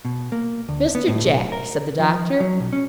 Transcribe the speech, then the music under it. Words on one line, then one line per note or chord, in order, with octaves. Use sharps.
'Mr. Jack!' said the Doctor.
B2
A#3
D2
B3
A2
B1
A#4
F3
F#3
B1
C#4